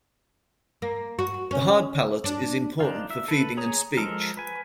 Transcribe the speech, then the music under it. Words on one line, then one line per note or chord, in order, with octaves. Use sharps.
The hard palate is important for feeding and speech.
A#3
F#4
C#4
D4
D4 D#4 F4
E5
A4 B4
G#4 C#5 A#5 D#6
F3 G#3 A4 A#4
B4 G#5